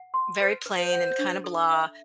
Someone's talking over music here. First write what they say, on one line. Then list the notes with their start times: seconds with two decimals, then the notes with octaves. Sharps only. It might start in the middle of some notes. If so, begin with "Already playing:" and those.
very plain and kinda, blah,
Already playing: F#5
0.14 C6
0.40 B4 C5
0.66 B4
0.79 C5
0.92 F#5
1.19 D4
1.44 A4
1.70 E5